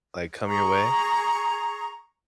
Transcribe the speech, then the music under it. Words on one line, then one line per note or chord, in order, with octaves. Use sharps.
like, come your way.
G#4 A#5 C#6